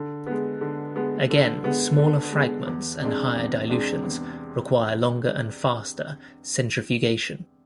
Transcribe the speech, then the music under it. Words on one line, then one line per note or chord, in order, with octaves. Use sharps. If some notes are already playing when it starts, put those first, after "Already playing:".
Again smaller fragments and higher dilutions require longer and faster centrifugation.
Already playing: D3
G#3 B3
D3
G#3 B3
D3
G#3 B3
D3
G#3 B3
E2
C3 G#3 D4
E2
C3 G#3 D4
E2